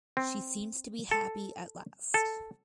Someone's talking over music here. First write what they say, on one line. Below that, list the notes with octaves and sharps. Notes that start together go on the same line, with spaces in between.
She seems to be happy at last.
C4
A4
A4